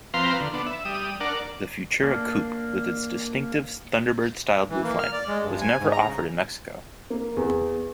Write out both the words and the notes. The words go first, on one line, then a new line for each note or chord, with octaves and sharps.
The Futura coupe with its distinctive Thunderbird-styled roofline was never offered in Mexico.
F3 C4 B4 F5 A#5 C6
D3
B3 D4
E5
G3 D#6
D4 A#4 D5 F#5
A#3 D4
E3
A#3
F6
D5
G#3
G2
G#5
G#2
A#5
C#3
A#3
E2